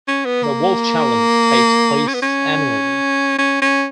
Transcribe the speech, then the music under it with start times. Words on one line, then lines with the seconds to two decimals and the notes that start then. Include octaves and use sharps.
The Wolf Challenge takes place annually.
0.08 C#4
0.26 B3
0.44 A#3
2.08 C#4
2.15 B3
2.22 C#4
3.39 C#4
3.62 C#4